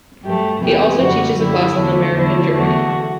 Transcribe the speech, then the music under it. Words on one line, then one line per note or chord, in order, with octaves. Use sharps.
He also teaches a class on the American Jury.
G2 F#3 A3 G4
E2 C3 E3 G4
F#2 D3 G3 F#4
F#2 D3 G3 E4
E2 D3 A3
E2 D3 F#3 A3 E4
E2 D3 F#3 A3 F#4